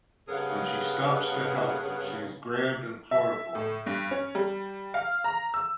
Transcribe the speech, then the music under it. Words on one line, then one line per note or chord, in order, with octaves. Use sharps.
When she stops to help, she is grabbed and chloroformed.
G2 C#3 B3 G#4 A#4 F5
E5
A2
G2
C#4
G3
F5
A#5
E6